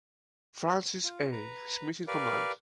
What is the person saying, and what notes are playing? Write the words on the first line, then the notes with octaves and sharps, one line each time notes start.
Francis A. Smith in command.
F4
B4 A#5
G4 A#4 B4 D5 F5